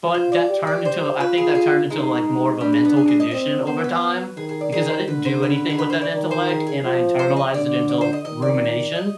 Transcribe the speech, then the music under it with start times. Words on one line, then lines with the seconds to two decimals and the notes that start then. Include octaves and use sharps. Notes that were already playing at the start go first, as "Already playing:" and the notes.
But that turned into I think that turned into like more of a mental condition over time, because I didn't do anything with that intellect and I internalized it until rumination.
0.14 F4 C5
0.32 D5
0.49 G4
0.67 D5
0.85 C5
1.20 F4 B4
1.37 G#4
1.55 G#4
1.90 G#3 D#4
2.61 G3 D4
2.72 G#3
2.85 B3
2.96 G#4
3.08 G#4
3.20 D#5
3.31 C4 D#5
3.67 B3 C5
3.84 B4
4.37 D#3 G#4
4.49 G#4
4.61 D5
4.72 D#3 G#4
4.90 C5
5.07 D3 B4
5.25 C5
5.43 B4
5.70 G#4
5.79 B4
5.90 C5
6.01 D5
6.13 D#3
6.31 C5
6.49 G#4
6.67 G#4
6.83 F3
7.19 C5
7.36 D#5
7.54 D3 D5
7.89 D5
8.01 C5
8.13 D#5
8.25 D#3 D#5
8.42 D5
8.95 D#5